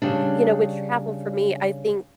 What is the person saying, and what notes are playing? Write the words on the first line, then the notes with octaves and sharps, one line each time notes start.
eh, you know, with travel for me, I think,
C#3 G3 D4